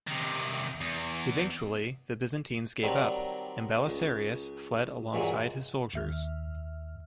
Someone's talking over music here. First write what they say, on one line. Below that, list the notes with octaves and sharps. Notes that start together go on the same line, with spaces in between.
Eventually, the Byzantines gave up, and Belisarius fled alongside his soldiers.
C3 D#3
E2
D#3 F#3 G3 C4 D4 D#4
C#2
G2 A#2 E3 F#3 G#3
D#2 E5 F6